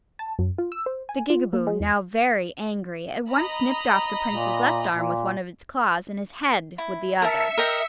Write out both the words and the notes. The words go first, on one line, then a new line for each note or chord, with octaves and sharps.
The Gigaboo, now very angry, at once nipped off the Prince's left arm with one of its claws, and his head with the other.
A5
F#2
F4
E6
C5
G#5
F4
A#3
G#3
E2
D#5 A#5 B5
A#2
A#2
E4
A#4 E5 A5 C#7
A#4 D#5 G5